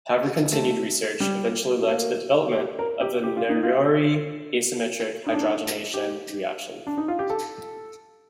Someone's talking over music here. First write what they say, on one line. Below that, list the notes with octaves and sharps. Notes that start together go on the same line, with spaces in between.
However continued research eventually led to the development of the Noyori asymmetric hydrogenation reaction.
A3
G3
A3
A#3
G4
A#4
G4
G4
F4
D#4
F4
D#4
D4
D#4
G4
D4
D#4
F4
G4
A4